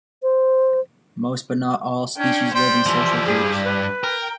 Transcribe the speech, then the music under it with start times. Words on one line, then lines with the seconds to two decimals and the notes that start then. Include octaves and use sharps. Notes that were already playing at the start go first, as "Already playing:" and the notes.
Most, but not all, species live in social groups.
0.22 C5
2.18 C#4 D4 G5
2.54 G3 D4 C5 D5 G5 C6
2.86 E3 F3 E4 G4
3.26 G2 G#4
3.64 B4
4.04 A#4 G5